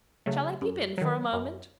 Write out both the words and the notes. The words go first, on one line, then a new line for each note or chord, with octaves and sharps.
"Shall I peep in for a moment?"
C#3 F#3 A3
F#2
D#3 F#3
F#2